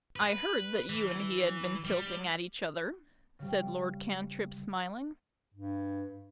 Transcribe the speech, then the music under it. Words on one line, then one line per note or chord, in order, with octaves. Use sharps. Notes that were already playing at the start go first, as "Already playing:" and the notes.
"I heard that you and he had been tilting at each other," said Lord Cantrip, smiling.
B4
E3
G3
C#3 G3
G2